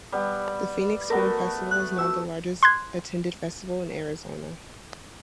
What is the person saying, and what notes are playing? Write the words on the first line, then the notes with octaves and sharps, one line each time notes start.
The Phoenix Film Festival is now the largest attended festival in Arizona.
G3 B3
A3 B3 F#4 A#4
F#6
F#4 E5 E6
C6 F#6 G#6